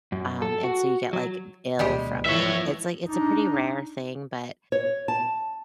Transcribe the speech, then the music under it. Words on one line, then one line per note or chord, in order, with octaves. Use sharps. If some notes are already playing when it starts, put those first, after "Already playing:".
Um, and so you get, like, ill from it. It's like it's a pretty rare thing, but,
F#2
A4
F#4
F#3
D2 B2 G3 G#3 G4
E3 F3 C#5 E5
D4 D#4
C#5
A5